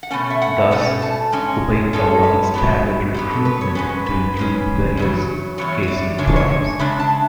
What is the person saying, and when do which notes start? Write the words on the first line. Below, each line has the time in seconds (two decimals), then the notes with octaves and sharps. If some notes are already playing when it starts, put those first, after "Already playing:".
Thus, Ubayd Allah expanded recruitment to include various Qaysi tribes.
0.03 F#5
0.10 B2 A3 C#4 G#5
0.30 E5
0.42 F#5
0.71 B2 A3 C#4 F#5
1.02 A5
1.32 G#2 G#3 C#4 G#5
1.93 G#2 G#3 C#4 A4
2.23 B4
2.54 G#2 F#3 B3
3.14 G#2 F#3 B3
3.30 A4
3.45 B4
3.61 C#5
3.75 G#2 G#3 C#4 B4
4.06 B4
4.37 G#2 G#3 C#4 B4
4.97 E2 C#3 F#3
5.58 E2 C#3 F#3 C#5
5.83 C#5
5.88 D5
6.18 C#3 G#3 D4 C#5
6.27 D5
6.36 C#5
6.79 C#3 G#3 D4 E5
7.00 A5